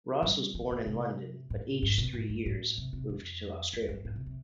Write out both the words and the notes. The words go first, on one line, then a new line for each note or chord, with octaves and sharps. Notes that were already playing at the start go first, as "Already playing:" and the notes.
Ross was born in London but aged three years, moved to Australia.
G3
E3
D3
C3
A2
G2
B2
A2
G2
A2
C3
C3
F2
F2
G2
A2
C3
C3